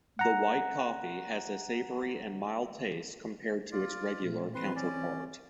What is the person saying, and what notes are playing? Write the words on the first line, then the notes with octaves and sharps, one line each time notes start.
The white coffee has a savory and mild taste compared to its regular counterpart.
F#5 A#5
F4 D5
A#2 F3 A3
E3 C4 B4 C6
C#4 D5